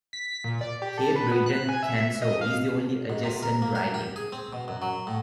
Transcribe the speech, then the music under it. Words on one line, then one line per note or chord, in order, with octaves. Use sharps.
Cape Breton-Canso is the only adjacent riding.
B6
A#2
D5
G4
A4
B4
B3
F#6
G#5
E5
D#5
F5
G#2
C3
A#4
A#3
A#4
G4
G#4
C4
B2
F#2
F#3
A2